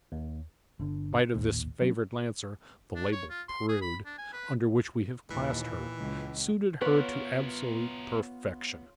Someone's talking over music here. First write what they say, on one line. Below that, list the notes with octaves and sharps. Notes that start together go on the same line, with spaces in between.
In spite of this favored Lancer, the label: Prude, under which we have classed her, suited her to absolute perfection.
D#2
G1 D3
A1 D#2 A#2
F#3 C#4
D4
C#5
F4
C6
G#4
B5
D4
G#5
B4
D#2 A#2 E3
C#2
B3 E4 F4 A#4 B4 C#5